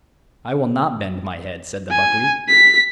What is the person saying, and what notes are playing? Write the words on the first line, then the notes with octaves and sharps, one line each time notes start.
"I will not bend my head," said the buckwheat.
G#5
B6